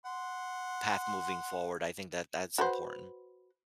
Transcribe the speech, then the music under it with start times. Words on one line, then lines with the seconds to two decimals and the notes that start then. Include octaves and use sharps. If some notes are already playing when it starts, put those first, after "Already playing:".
path moving forward, I think that that's important.
0.06 F#5 C6
2.58 F#4 B4 C5